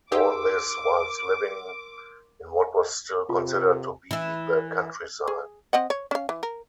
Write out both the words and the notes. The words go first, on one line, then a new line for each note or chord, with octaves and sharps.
All this, whilst living in what was still considered to be the countryside.
D#4 G4 G#4 A#4 C6 D6 E6
C3 F4
E3 E4
G#4
C4 D#5 F#5
C#5
C#4 F5
E3
A#4